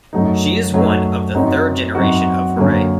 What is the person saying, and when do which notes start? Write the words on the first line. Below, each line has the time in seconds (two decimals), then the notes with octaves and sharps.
She is one of the third generation of Horae.
0.13 F#2 F#3 A3 D#4
0.74 F#2 F#3 A3 D#4
1.34 F#2 F#3 C4 D#4 F#4
1.95 F#2 F#3 C4 D#4 F#4
2.56 F#2 D3 F#3 A#3